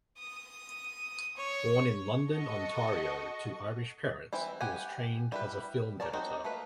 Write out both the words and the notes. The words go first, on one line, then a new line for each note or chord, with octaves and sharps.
Born in London, Ontario, to Irish parents, he was trained as a film editor.
D#6
C#5
F#4 A4 D#5 C#6
E3 C4 E4
G4 F#5 G#5
G3 E4 B4
A#4 C#5 D5 A5
F#3 C4 D#4 F#4
A3 A#3 B4